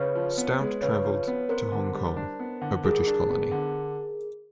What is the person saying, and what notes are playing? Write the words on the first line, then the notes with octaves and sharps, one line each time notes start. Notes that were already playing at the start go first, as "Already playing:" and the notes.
Stout traveled to Hong Kong, a British colony.
Already playing: C#3 B4 C#5
F3
B3
G#3
C#3 B4 C#5
F3
B3
B3 A#4 C5
D3
G3
D4
B3
D3
G3 G#4 A#4
D4
B3
D3